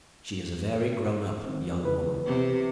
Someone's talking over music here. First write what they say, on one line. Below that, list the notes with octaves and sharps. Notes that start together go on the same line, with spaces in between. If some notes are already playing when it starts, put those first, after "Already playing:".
She is a very grown-up young woman.
D#3 C4
C#2 E3 B4
C3